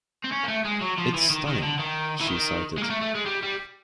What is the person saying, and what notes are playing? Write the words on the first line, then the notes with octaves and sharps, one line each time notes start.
"It's stunning," she cited.
C4
C#4
A#3
A3
G#3
F#3
F3
E3
D#3
D#3
D3
D#3
E3
D#3
G#3
A#3
A3
A3
G#3
G3
G3